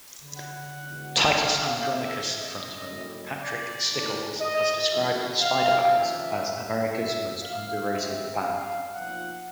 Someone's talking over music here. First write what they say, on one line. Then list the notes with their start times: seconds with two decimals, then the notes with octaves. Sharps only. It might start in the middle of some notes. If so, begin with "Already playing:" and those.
Titus Andronicus frontman Patrick Stickles has described Spider Bags as "America’s most underrated band".
0.38 F#5
0.87 E2 B2 G#3
1.38 F5
1.88 A#1 A2 E3 A3 C4 E5
2.39 D#5
2.90 F#1 F#2 D3 G3
3.40 D5
3.90 G#2 E3 A3 D4
4.40 D#5
4.91 G1 F2 C#3 E3 G#3 E5
5.41 F5
5.91 D#2 C#3 F3 A#3 D4 E5
6.92 F#1 E2 B2 G#3 E5
7.43 F5
7.93 G1 F#2 D#3 G3 C4 E5
8.44 F5
8.94 B1 A#2 F3 F#5